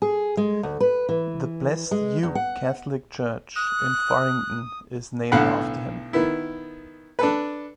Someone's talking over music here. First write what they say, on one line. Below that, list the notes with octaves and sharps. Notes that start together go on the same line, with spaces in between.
The Blessed Hugh Catholic Church in Faringdon is named after him.
G#4
G#3
D2
B4
E3
G#3
E2
F#5
D#6 F#6
B1 A2 D3 F5 F#5 B5
D#3 B3 E4
D4 A4 B4